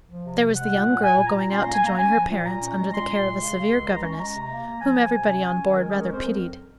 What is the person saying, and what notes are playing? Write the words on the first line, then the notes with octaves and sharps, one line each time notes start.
There was the young girl going out to join her parents under the care of a severe governess, whom everybody on board rather pitied.
F3
C3
C3
G#3 F#5
A#2
A#2
A#2 G#5
A#2
A#5
A#2
C#4 C6
A#3 A#5
G#5
A#3 A#5
C#4 G#5
F3
A#2
A#2 A#5
C#4
G#3
A#2 C6
A#2
G#3
C#3
C#3
C#2
C#2 A#5
C#4
G#3 A#5
C3
A#3
A#3
F3 G#5
F3
C3
C#4
C#4
D#3
G#3 A#4
C#4 G#4
A#4
F2 C5
F#3 A#4